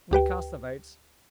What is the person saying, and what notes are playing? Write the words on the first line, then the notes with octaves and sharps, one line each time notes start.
We cast the votes.
D2 G4 B4 G5